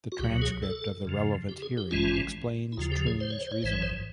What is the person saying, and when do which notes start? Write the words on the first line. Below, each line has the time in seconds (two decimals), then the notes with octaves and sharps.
The transcript of the relevant hearing explains Troon's reasoning.
0.12 F#4
0.19 C#2 B2 F#3 G4
0.42 G#4
0.62 A4
1.05 F2 C#3 F3
1.49 G4
1.62 G#4
1.77 G4
1.91 A1 G2 E3 G#3 C#4 F4
2.72 E4
2.77 D#2 C#3 F3 F4
2.92 G4
3.07 G#4
3.20 C5
3.30 C#5
3.41 C5
3.52 C#5
3.63 A1 G#2 E3 C5
3.72 C#5
3.83 C5